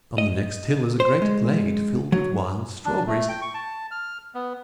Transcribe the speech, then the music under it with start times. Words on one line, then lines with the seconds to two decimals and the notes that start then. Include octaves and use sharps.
On the next hill is a great glade filled with wild strawberries.
0.18 D#5
1.00 C5
1.22 G#3
2.12 F#3
2.85 D4
3.07 A3
3.29 G5
3.42 C#6
3.54 A5
3.91 F6
4.35 B3